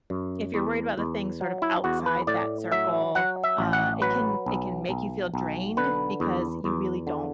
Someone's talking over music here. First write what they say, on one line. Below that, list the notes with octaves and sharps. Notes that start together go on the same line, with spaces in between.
if you're worried about the things sort of outside that circle, uh, it can it can make you feel drained because you really don't
F#2
E2
E2
F#3
E4
E2 F#4
B4
A2 D5
F#3 E5
F#3 F#5
E5
A1
F#5
F#3 B4
B1
B1
B1
D3 B4
E2
E2
D3